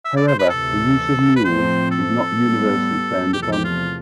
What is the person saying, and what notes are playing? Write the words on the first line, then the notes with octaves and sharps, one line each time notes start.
However, the use of mules is not universally frowned upon.
E5
D5
C5
B4
D2 C3 E3 A4
B4
A2 F3 A3 C4 C5
A4
A2 G3 B3
E2 C3 F3 A3 G4
A4
G4
F4